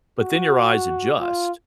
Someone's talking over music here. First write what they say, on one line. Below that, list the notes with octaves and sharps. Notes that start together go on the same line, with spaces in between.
but then your eyes adjust.
F#4
F4